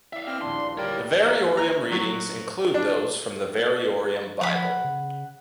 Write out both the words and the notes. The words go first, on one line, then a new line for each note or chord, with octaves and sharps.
The variorum readings include those from the "Variorum Bible".
E4 D5 E5 F5
C4 B4 D#5 F5 F6
A#1 D#2 D4 C6
D2 G3 A#4 C#5 D5 G5 D6 D7
A#3
A#5
F#3
D4
F3 F#5 B5
C#3